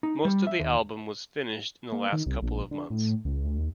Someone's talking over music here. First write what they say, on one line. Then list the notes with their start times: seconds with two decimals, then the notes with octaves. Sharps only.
Most of the album was finished in the last couple of months.
0.03 D#4
0.25 G3
0.47 E5
0.60 D#2
1.92 A#3
2.12 D#3
2.26 C2
2.42 A#1
2.71 D3
2.90 A2
3.25 C#2
3.44 D2
3.58 D#2